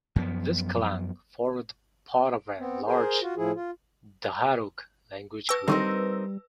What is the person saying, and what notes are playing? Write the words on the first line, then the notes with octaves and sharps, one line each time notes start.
This clan formed part of a large Dharug language group.
F#2 F3 B3
B3 C4
G#4 A#4 C5
F4 F#4
A2 F3 E4 G#4
F4
B4 G5 C#6 E6
D3 D#3 F#3 G3 C4 D#4 A#4